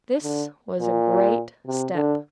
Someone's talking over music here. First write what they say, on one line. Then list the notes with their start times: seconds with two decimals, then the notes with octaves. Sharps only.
This was a great step.
0.23 D3
0.81 A#2
1.66 C3
1.95 D3